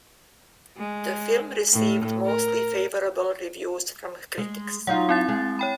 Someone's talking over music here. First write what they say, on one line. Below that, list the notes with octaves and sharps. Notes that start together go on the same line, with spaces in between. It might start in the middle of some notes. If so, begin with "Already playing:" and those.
The film received mostly favorable reviews from critics.
G#3
A2
A#4
G#3
F#3 D#4 F4 F#5
C4 E4 A6
G#3 G#4
C#5 G5 B5